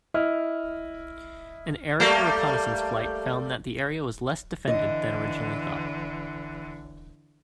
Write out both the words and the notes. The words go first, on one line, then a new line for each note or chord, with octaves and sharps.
An aerial reconnaissance flight found that the area was less defended than originally thought.
E4 D#5 F6
G3 A3 A#3
D3 E3 D#5